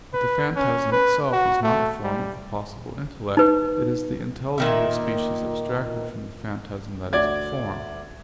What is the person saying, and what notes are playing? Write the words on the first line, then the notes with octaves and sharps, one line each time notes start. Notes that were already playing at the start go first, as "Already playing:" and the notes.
But the phantasm itself is not a form of the possible intellect; it is the intelligible species abstracted from the phantasm that is a form.
B4
C#4
B4
F#4
A3
G3
D#4 B4
A#2 D#3 E5
D2 D5 G#6